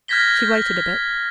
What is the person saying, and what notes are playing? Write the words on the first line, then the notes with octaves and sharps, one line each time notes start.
'She waited a bit.
F6 G6 G#6 A#6 B6 G7